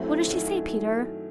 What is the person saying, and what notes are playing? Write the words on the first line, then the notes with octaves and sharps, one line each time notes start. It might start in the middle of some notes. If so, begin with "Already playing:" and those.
"What does she say, Peter?"
Already playing: F#2 F#3 A3 C4 E4
F#2 D#3 F#3 A3